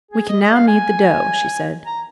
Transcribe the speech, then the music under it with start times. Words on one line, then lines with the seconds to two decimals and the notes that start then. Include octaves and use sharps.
"We can now knead the dough," she said.
0.11 G#4
0.29 D#5
0.42 D#5
0.55 F5
0.68 G#5
1.86 A#5